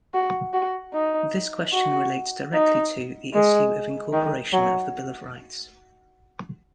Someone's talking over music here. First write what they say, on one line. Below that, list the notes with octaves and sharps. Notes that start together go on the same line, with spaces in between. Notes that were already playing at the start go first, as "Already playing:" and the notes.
This question relates directly to the issue of incorporation of the Bill of Rights.
F#4
F#4
D#4
F#4
D#4
G#3
D#3
F#3